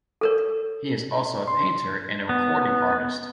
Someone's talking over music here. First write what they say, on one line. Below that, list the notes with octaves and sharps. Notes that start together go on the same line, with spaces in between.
He is also a painter and a recording artist.
A4 A#4 C#5
C6
B3